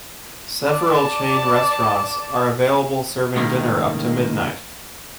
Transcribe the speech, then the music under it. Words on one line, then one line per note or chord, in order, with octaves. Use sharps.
Several chain restaurants are available serving dinner up to midnight.
D5 A5
C#2 A2 C3 D#3 G3 A#3